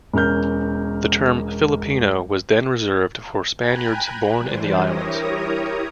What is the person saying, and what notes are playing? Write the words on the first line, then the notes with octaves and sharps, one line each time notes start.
The term "Filipino" was then reserved for Spaniards born in the islands.
E1 C#4 A#4 F6 G6
G5 G#5 A#5 B5 F#6 G#6
E3 G3 D4 C5
E4 G4 A#4 C#5 A#5 D#6